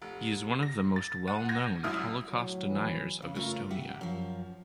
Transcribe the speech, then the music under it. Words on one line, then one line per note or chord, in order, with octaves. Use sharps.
He is one of the most well known Holocaust deniers of Estonia.
F1
A#6
A6
F#5 D#7
G6 G#6 A#6
C2 F#2 E4 D#6 F6
A2 F#3
E3
C#3
C#3 A3 F4 A#4
G4 E5 F#5
F#2 F3